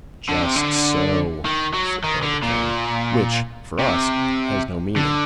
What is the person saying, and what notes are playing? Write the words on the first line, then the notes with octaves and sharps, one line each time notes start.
"Just so," said Barbicane, "which for us has no meaning."
D3
C3
D3
D#3
F#3
D#3
D3
A#2
C3
D3